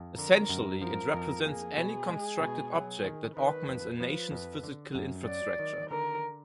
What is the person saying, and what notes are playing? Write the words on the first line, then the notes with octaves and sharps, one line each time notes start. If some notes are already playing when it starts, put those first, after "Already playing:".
Essentially, it represents any constructed object that augments a nation's physical infrastructure.
Already playing: F2
D3 A#4
F#2
F3 A#4
F2
A#3 G#4
B2
G#3
B2
F#3
D#3
D#3 B4
F2
F3 B4
F2
D3
F#2
F#3 D5
D#3
D3 A#4